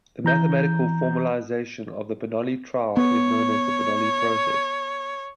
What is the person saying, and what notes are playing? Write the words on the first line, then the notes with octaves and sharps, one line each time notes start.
The mathematical formalisation of the Bernoulli trial is known as the Bernoulli process.
E3 A#5 G6
B3 C#5